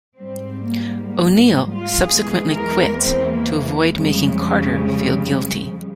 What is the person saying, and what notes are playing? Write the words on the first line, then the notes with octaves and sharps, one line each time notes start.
O'Neill subsequently "quits" to avoid making Carter feel guilty.
G#2 G3 C4
A#3
A#3
A#3
F4
E2 E3 G#3 G#4
A#4
C4
A#3
G#3
F2 C#3 G3